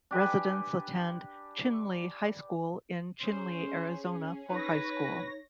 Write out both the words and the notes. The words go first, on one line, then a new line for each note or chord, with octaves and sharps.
Residents attend Chinle High School in Chinle, Arizona, for high school.
D4 G4 B4 G#5
C#4 G#4 C5
D#4 B4 C#5 A#6